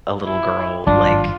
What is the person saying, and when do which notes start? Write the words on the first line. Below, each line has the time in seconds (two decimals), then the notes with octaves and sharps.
a little girl?" Like
0.24 E4
0.87 G#1 G2 F#3 D4 F4